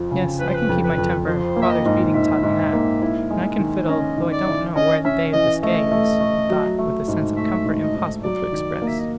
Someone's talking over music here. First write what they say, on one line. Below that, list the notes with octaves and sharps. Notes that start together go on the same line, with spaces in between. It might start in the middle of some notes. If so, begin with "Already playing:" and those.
"Yes, I can keep my temper father's beating taught me that; and I can fiddle, though I don't know where the Bay of Biscay is," he thought, with a sense of comfort impossible to express.
Already playing: F2 F3
C#3
F3 B4
C5
B4
F2
B4
F2
F3 C5
A#3
E5
D#5
G#2
G#2 E5
G#2
A#3
E4
G#3
D#3
C#4 D#5
D#3
D5
E4
C#4 D#5
C#4 E5
E3 D#5
A3 D#5
A3
A3
F#3
A3
G#2
A3 E5
G#2
D#5
G#2
F#3 D5
D#3
A#3
E5
D#5